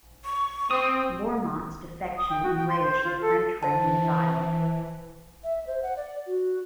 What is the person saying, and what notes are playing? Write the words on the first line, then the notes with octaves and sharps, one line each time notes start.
Bourmont's defection enraged the French rank and file.
C#6
C4 D#6
D#6
G5
F#4
G5
C6
C5
F4
A4
E3 C5 A5
E5
C5
F#5
D5
F#4